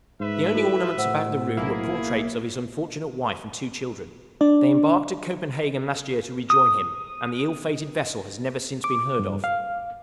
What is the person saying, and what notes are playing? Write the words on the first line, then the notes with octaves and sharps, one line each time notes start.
The only ornaments about the room were portraits of his unfortunate wife and two children: they embarked at Copenhagen last year to rejoin him, and the ill-fated vessel has never since been heard of.
G#2 B4 E5
E4 F#4 A4
A2 C5 F#5 E6
B1 A#3 E4 G#4
D4 D5
D#6
D6
G2
F5